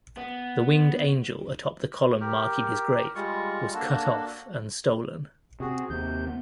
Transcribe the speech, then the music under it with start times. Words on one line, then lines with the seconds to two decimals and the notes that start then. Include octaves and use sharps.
The winged angel atop the column marking his grave was cut off and stolen.
0.17 B3
2.21 G4 A#4
3.15 G3 G#3 F4 C#6
3.74 A#3 D4 F#4 A4
5.60 C3 F#4 G#4
5.90 D#2 C3 G6
6.27 B3